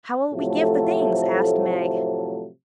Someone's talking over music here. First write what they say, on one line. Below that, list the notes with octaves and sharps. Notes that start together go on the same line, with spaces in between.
"How will we give the things?" asked Meg.
A2 C3 F3 F#3 A3 A4